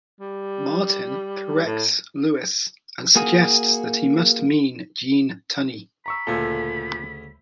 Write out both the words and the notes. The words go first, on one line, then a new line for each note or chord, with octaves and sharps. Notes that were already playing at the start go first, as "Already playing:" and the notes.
Martin corrects Lewis and suggests that he must mean Gene Tunney.
G3
A2
A#3 F#4 G#4
A#5 B5 C#6 E6
D2 A#2 C#3 F4 A4 G#5